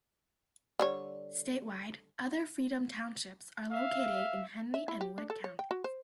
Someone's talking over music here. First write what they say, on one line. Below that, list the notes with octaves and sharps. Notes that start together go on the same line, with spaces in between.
Statewide, other Freedom Townships are located in Henry and Wood counties.
D3 G3 C#5
E5 F5
E5
E4
G4
D4
A4
C#5
G5
F#4
C5